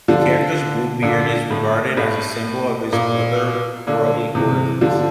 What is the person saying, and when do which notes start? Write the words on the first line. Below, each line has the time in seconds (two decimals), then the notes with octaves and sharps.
The character's blue beard is regarded as a symbol of his otherworldly origins.
0.08 D3 F3
1.02 A#2 D3
1.50 A2
1.97 A2
2.92 A#2
3.87 A#2 D3
4.35 C3 E3
4.81 D3 F3